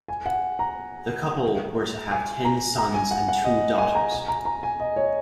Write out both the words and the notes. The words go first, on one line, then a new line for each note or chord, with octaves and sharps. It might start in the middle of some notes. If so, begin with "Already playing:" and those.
The couple were to have ten sons and two daughters.
G#5
F#5
A#5
G#5
A#5
A#5
G#5
F#5
F#5
D#5
G#5
A#5
G#5
A#5
A#5
G#5
D#5
C#5